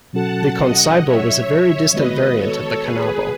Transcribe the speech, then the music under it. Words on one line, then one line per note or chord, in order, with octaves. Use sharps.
The konsaibo was a very distant variant of the kanabo.
B2 F#3 C#4 F#4 A4 F#5 A5
D#5 F#5
C#5 E5
D#3 G#3 B3 F#4 B4 D#5
A4 C#5
G#4 B4